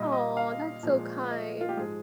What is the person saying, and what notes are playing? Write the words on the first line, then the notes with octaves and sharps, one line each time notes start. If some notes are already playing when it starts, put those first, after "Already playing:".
Aw, that's so kind.
Already playing: A#2 G3 D#5
D#5
F5
A#2 F3 G#3
D#5
F4
G4
G#2 F3 G#3 G#4